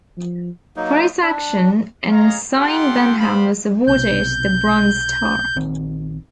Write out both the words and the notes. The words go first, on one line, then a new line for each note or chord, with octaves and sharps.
For his action, Ensign Benham was awarded the Bronze Star.
F3
F#3 A#3 D#4
D4
G#4 C#5 D#5 F5 A#5
F4 G4 A4 F#5 G5 C6
B3 G4 C5 F5 B5
B1 C3 G6
A#1 D#3 C4